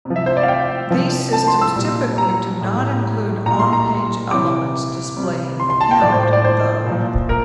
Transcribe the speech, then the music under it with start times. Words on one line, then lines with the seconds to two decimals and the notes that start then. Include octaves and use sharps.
These systems typically do not include on-page elements displaying the count, though.
0.05 C3
0.10 F3
0.16 E5
0.26 C5
0.37 D5
0.43 F5
0.48 G5
0.91 C3 F3
1.33 A5
1.48 C6
1.61 E6
1.75 A#2 G3
2.18 A#5
2.61 A2 G3
3.46 A#2 G3 A#5
3.59 C6
3.73 A#5
4.31 C3 E3 G3 D6
5.17 C3 G3
5.60 C6
5.70 C6
5.81 A5
5.91 G5
6.01 A2 F3 D5
6.12 C5
6.23 C5
6.33 D5
6.44 C5
6.86 A#2 F3
7.29 A#4